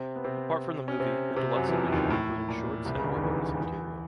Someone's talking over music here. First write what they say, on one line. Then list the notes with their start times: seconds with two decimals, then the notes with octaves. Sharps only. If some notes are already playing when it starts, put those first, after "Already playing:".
Apart from the movie, the deluxe edition included shorts and more bonus material.
Already playing: C3 C4
0.16 B3
0.24 C3 C4
0.88 C#4
1.00 C3 C4
1.36 C3 C4
1.55 F#2 F#3
1.68 E3
1.73 F2 F3
1.92 D#2 D#3
2.10 A2
2.49 A#2
2.85 C2 C3
2.95 C#2 C#3
3.04 D2 D3
3.14 D#2 D#3
3.22 E2 E3
3.59 E2 E3